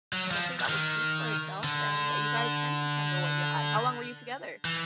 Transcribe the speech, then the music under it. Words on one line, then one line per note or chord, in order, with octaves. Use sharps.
hopefully that will speak for itself and that you guys can rekindle what you had. How long were you together?
F#3
F3
D#3
D3
E3